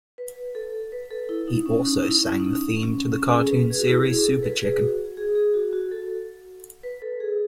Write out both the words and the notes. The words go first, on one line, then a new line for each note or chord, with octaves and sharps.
He also sang the theme to the cartoon series Super Chicken.
B4
A4
B4
A4
E4
D#4
C#4
D#4
E4
C#4
D#4
C#4
C#4
A4
G#4
B4
G#4
F#4
E4
G#4
A4
B4
G#4
F#4
G#4
G#4
F#4
F#4
A4
B4
A4
G#4